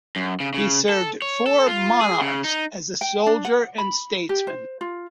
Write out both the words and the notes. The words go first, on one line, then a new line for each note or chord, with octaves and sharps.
He served four monarchs as a soldier and statesman.
F#2
C#3
C#3
A4
C#5
A4
F4
G#4
C#3
D#4
G5
D4
F#5
B5
G4
C5
F4